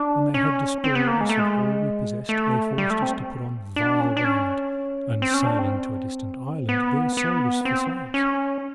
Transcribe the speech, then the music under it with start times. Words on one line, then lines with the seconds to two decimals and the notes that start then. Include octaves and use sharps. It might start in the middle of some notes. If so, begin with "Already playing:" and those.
When they had despoiled us of all we possessed, they forced us to put on vile raiment, and sailing to a distant island there sold us for slaves.
Already playing: D4
0.34 C#4
0.84 C4
0.95 B3
1.07 A#3
1.21 G#3
1.29 A3
1.39 G#3
2.29 A3
2.78 G3
2.90 A3
3.02 C4
3.76 D4
4.00 C#4
4.17 D4
4.24 C#4
5.22 C4
5.34 C#4
5.46 D4
5.59 C4
6.69 B3
7.17 B3
7.65 C4
8.14 C#4